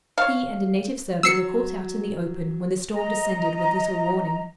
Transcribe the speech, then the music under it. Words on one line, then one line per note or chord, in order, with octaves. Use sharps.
He and a native servant were caught out in the open, when the storm descended with little warning.
C#5 F5
F#3 E6 C7 C#7
D#5 A#5